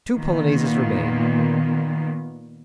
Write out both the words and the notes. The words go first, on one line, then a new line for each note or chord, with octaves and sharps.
Two Polonaises remain.
A#2 D#3 A#3 B3